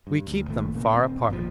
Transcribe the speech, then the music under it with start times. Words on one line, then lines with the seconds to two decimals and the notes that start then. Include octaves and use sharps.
We keep them far apart.
0.07 G2
0.27 D2
0.47 G#1 D#2 A#2 A3
0.74 A#2 C#3 A#3
0.91 D#1 A#3 C4
1.29 G#1 E2 A#2 F3